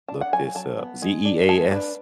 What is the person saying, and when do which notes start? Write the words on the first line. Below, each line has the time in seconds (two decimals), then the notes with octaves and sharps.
look this up. Z-E-A-S?
0.08 D4 A5
0.21 F#5
0.33 F#3 G#5
0.55 F#3 A5
0.80 B3
1.02 G#3
1.25 D4
1.49 G#3 A5
1.71 D4 B4